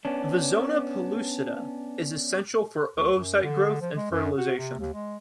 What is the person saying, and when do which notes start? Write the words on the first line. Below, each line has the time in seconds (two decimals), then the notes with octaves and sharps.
The zona pellucida is essential for oocyte growth and fertilization.
0.05 B3 C#4 D4
2.95 D2
3.13 F#2
3.43 D3
3.82 F3
3.96 G#3
4.11 F#2
4.38 F#4
4.58 C3
4.79 D#2
4.94 G#3